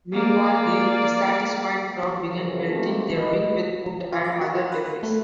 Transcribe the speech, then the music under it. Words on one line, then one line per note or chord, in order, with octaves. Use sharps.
Meanwhile, the dissatisfied crowd began pelting the ring with food and other debris.
A#3 D5
F#2 C#3 E3 F3
A3 A#3 C4 D#4 F4 G4
B4 D#5
F4
D5
F#4
F4
B4
B4
A3